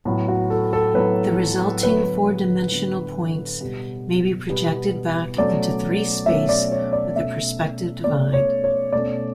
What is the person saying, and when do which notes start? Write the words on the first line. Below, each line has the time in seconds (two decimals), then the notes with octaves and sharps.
The resulting four-dimensional points may be projected back into three-space with a perspective divide.
0.05 A2 F#3 B3
0.28 F#4
0.50 A4
0.73 A4
0.94 A2 F#3 B3 B4
1.83 D3 F#3 B3 B4
2.72 D3 F#3 B3
3.61 B2 G3 B3
4.49 B2 G3 B3
5.38 B2 F#3 A3 C#4 D5
6.26 B2 F#3 A3 C#4 E5
6.49 D5
6.72 C#5
6.93 D5
7.16 B2 A3 C#4 E5
8.04 B2 A3 C#4 D5
8.33 C#5
8.64 C#5
8.92 B2 A3 C#4 D5